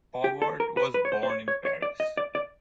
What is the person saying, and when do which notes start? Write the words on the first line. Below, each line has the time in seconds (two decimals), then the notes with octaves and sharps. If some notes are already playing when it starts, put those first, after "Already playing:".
Pauvert was born in Paris.
0.24 G4
0.42 A4
0.60 A#4
0.77 B4
0.94 B4
1.05 C#5
1.12 C5
1.23 C5
1.30 C#5
1.48 C#5
1.65 C#5
1.82 D5
2.00 D#5
2.17 D5
2.35 D5